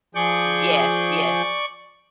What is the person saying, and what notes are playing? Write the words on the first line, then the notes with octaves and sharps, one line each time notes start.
Yes, yes.
F3 G#4 D5 C#6 G6